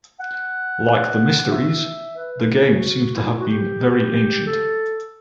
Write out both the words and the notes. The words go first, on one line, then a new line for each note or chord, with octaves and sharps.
Like the Mysteries, the games seem to have been very ancient.
F#5
E5
B4
G4
F#4
E4
D#4
E4
F#4
G4
A4